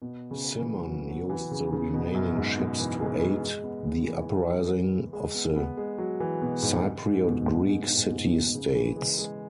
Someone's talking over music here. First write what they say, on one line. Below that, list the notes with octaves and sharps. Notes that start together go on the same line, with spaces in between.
Cimon used the remaining ships to aid the uprising of the Cypriot Greek city-states.
B2
C#3
E3
F#3
F#3
E3
C#3
C#3
B2
F#2
G#2
B2
E3
G#3
G#3
G#3
B3
G#3
E3
G#3
B3
B3
G#3
F#3
E3
B2
G#2
G#2
B2
G#2
G#2
G#2
B2
C#3
E3
G#3
G#3